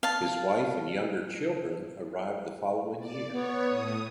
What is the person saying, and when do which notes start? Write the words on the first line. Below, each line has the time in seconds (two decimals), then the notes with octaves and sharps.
His wife and younger children arrived the following year.
0.03 F5 A5
2.99 D5
3.32 B3 C#5
3.68 A2 D#6